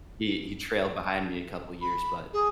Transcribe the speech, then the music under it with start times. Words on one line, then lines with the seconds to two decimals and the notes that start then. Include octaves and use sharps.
He he trailed behind me a couple years, but,
1.81 B5
2.33 G#4